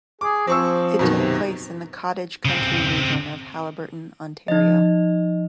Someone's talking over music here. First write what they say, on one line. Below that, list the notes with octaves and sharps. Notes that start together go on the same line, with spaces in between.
It took place in the cottage country region of Haliburton, Ontario.
G#4 D6
F3 C4 C#6 E6
F#2 B2 D#3
C3
C#3 C4
F3 D#4 D#5